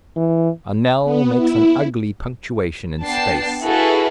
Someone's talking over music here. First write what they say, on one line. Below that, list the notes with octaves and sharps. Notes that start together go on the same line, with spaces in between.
A knell makes an ugly punctuation in space.
E3
B3
E4
B3 D4 G5 A5 C7
E4 F#4 G#4 A4 B4 F5